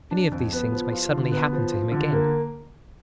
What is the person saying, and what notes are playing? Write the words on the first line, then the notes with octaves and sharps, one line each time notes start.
Any of these things may suddenly happen to him again.
D4
F2
B3
F3
F4
D3
B3
F3
F4
D3
A#3